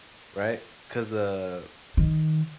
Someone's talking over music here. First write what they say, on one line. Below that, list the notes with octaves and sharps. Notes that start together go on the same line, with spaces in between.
Right? 'Cause, uh,
D#3